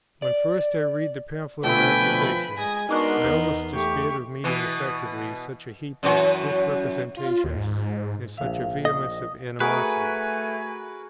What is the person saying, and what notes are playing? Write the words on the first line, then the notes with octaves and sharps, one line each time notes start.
When first I read the Pamphlet of Accusation, I almost despaired of meeting effectively such a heap of misrepresentations and such a vehemence of animosity.
D5
B2 D3 A3 F4 B4 G5 G#5 B5
F3
G#3 G#5 D#6 A#6
G#3 B3 D4 D#4 F#4 A#4 C6
E2
A3 G4 C#6
B2 E3
F#2 E3 F#4
F4
D#2
G#2
A#1 E5 F5
D#5 D#6
A3 F#4 G#4 A#4 B4 G#5